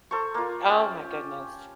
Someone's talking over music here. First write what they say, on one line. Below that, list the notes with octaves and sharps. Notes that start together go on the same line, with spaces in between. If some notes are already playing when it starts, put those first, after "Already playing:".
Oh, my goodness.
A4 C5 A#5 C#6
A#3 F4
C#4 G4 A5